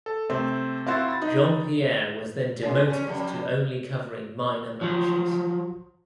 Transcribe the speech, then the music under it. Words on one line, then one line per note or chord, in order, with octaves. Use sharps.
Jeanpierre was then demoted to only covering minor matches.
A4
C3 A3 C4
C4 E4 F#4 F5 C6 A6
B5 A6
D#4
C#3 G#3 D4
C#4
F2 G3
F3 F#3